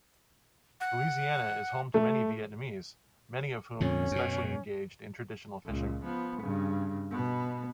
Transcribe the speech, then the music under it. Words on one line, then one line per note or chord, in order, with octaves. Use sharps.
Louisiana is home to many Vietnamese, many of whom especially engaged in traditional fishing.
F#5
A3
F2 A#2 D3 C#4
F#2 B2
C#2 A#2
F3 B3
G2 C#3
B2 B3